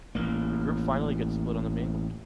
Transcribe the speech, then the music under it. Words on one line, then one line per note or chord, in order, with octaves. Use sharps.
The group finally gets split on the mainland.
A1 A#3